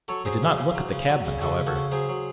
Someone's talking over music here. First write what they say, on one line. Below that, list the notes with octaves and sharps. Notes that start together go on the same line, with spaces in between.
They did not look at the cabman, however.
F#3 A4 C#5
F#3 G#4 C5
C#3
C#3
F#3
C#3
F#3
C#3
C#3 F#4 A4
C#3
F#4 A4
C#3
F#3 G#4 C5
F#3